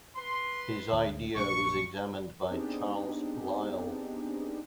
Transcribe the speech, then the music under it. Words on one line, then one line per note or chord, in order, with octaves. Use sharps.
His idea was examined by Charles Lyell.
B4 C6
D2
A#1 D4 C#6
B3 C4 D4 D#4 G4 G#4